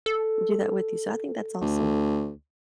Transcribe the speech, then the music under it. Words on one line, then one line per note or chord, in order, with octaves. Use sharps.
do that with you. So I think that's awesome.
A4
D2